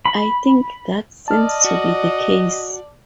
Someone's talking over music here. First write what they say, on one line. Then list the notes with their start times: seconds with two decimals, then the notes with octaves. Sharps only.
I think that seems to be the case.
0.06 B5
1.28 D5 D#5 A5 F6
1.64 F#4